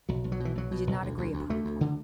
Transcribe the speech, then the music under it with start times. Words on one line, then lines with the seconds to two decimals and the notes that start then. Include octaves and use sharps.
We did not agree upon the point.
0.09 B1 F#3
0.24 B1
0.32 F#3
0.40 B2
0.45 E3
0.55 B1 F#3
0.71 B2
0.87 B1
1.02 D2
1.18 D2
1.34 D2
1.50 D2 A3
1.65 D2
1.81 D3